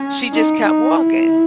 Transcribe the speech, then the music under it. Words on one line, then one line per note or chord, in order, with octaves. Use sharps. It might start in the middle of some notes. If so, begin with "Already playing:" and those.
she just kept walking,
Already playing: C#4
D#4
D#4
E4